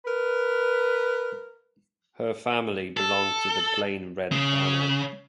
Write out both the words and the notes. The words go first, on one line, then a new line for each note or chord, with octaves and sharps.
Her family belonged to the Plain Red Banner.
A#4 B4
A4
C#3